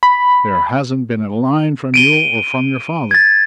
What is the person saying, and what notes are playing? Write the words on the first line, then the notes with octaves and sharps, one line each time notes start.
There hasn't been a line from you or from your father.
B5
D7 D#7 G7
G#6 A6